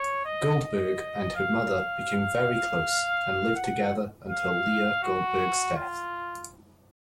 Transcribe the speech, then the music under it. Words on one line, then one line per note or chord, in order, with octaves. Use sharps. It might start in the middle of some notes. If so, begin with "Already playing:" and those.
Goldberg and her mother became very close and lived together until Leah Goldberg's death.
Already playing: C#5
D#5
D#5
F5
F#5
F5
F#4
F4